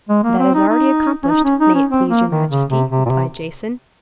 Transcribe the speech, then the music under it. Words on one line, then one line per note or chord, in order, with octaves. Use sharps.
"That is already accomplished, may it please your majesty," replied Jason.
G#3
A#3
C4
D#4
D#4
C#4
D#4
C#4
D#4
C#4
C4
A#3
D#3
C#3
C3
C3
A#2
C3